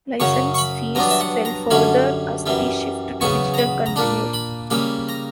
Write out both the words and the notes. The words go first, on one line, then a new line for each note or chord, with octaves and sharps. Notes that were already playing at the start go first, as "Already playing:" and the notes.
Licence fees fell further as the shift to digital continued.
F#2 C#3 F#3 C#4 C#6
C#6
B5
G2 F#3 B3 D4 A#5
E5
F#5
A#5
F#2 D3 G3 C#4 B5
F#2 E3 G3
E2 C#3 F#3 B3 C#6
A#5
B5
A#5
A#2 A#3 D4 B5
B5
C#3 G3 A#3 B5
A#5